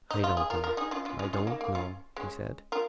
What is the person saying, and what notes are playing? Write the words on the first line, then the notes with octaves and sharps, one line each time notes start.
"I don't know--I don't know," he said.
D#4
F4
G#4
F4 A#4
F4 A#4
D#4 G#4
C#4 F4
C#4 F4
C#4 F4
C#4 F4
A#3 D#4
A#3
C#4 F4
G#3 C#4
F4 A#4